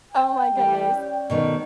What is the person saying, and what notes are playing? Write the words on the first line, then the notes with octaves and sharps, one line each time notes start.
oh my goodness.
G5
E3 G3
C#4 D5
B2 D#3 A3